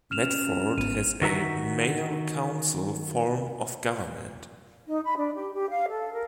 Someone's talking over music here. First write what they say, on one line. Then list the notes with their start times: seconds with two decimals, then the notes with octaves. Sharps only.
Medford has a mayor-council form of government.
0.11 C#4 F6 E7 F7
0.78 G#1 B3 D#7
1.22 D#3 F#4 E5 A#5
4.87 D#4
5.04 B5
5.17 D4
5.36 G4
5.53 G4
5.69 F5
5.89 A4
6.13 A#4